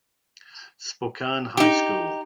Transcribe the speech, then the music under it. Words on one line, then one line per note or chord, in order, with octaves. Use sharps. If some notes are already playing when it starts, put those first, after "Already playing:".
Spokane High School.
D#4 G4